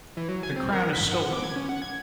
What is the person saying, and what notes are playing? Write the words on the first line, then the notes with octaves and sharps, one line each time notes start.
The crown is stolen!
E3
F#3
G#5
C4
A#4
B6
F#5
D6
G#6
C#4
F#5
G#6